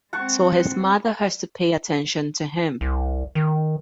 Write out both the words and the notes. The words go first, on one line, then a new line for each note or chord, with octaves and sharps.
So his mother has to pay attention to him.
G#3 C4 F#5 A5 C#6
C2
D#3